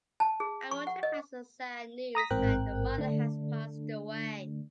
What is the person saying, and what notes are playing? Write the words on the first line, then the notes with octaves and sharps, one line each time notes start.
I want to pass a sad news that your mother has passed away.
A5
G#4
C#6
F#5
D#5
A#5 D#6 A#6 B6
A1 G#2 C4 A#4 G5 F#6
D3 A3 D4